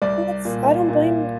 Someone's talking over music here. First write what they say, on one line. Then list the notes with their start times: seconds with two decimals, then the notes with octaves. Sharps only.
That's I don't blame
0.02 C2 D5
0.45 A#2
0.89 A#2